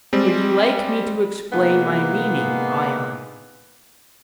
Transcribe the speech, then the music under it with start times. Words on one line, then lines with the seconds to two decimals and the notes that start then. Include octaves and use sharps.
Would you like me to explain my meaning, Ion?
0.13 G3 G#3 C4
1.52 C3 G#3 A#3 B3 D#4